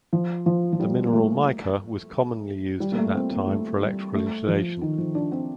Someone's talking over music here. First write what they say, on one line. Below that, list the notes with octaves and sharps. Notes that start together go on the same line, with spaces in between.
The mineral mica was commonly used at that time for electrical insulation.
F3
F3
F3
G3
A#3
A3
G3
A#3
A3
C4
A#3
A3
G3
A3
F3
D#3
F3
D4
C4